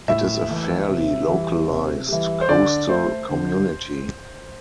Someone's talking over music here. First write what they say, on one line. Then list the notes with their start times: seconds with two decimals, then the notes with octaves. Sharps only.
It is a fairly localised coastal community.
0.08 A2 E5
0.48 E3 A3
0.89 C3
1.28 E3 G3
1.68 C3
2.08 E3 G3
2.41 C5
2.48 D3 D5
2.88 A3 C5
3.29 D3